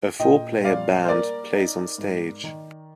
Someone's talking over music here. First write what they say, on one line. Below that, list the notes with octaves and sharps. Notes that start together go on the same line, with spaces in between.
A four player band plays on stage.
A#2 D#5 G5
G3 D5 F5
C5
A#3 A#4 D5
D#4
G#2
D#3